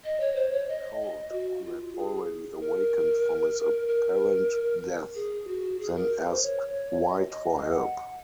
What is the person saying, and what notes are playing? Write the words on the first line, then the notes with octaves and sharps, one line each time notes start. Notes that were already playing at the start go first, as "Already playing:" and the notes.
Colt, who had already awakened from his apparent death, then asked White for help.
D#5
C#5
C5
C#5
D#5
D#5
F#4
F4
G#4
A#4
A#4
G#4
F#4
G#4
A#4
C5
C#5
D#5
F#5